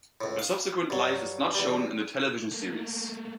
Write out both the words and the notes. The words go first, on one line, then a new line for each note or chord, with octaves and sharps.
Her subsequent life is not shown in the television series.
C#2 A2
F5 D#6
G2 F#3
E2 G3
A3 A#3